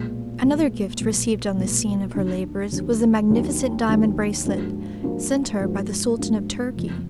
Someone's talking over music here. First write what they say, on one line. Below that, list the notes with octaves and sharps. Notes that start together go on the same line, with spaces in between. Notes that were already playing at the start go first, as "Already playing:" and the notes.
Another gift received on the scene of her labors was a magnificent diamond bracelet sent her by the Sultan of Turkey.
Already playing: B1 A#2 G#3 B3
B1 A#2 G#3 B3
B1 A#2 G#3 B3
B1 A#2 G#3 B3
D#2 D#3 F#3 D4
D#2 D#3 F#3 D4
D#2 D#3 F#3 D4
D#2 D#3 F#3 D4
G#2 F3 A#3 D4 F#4
G#2 F3 A#3 D4 F#4
G#2 F3 A#3 D4 F#4
G#2 F3 A#3 D4 F#4
F#1 F2 F3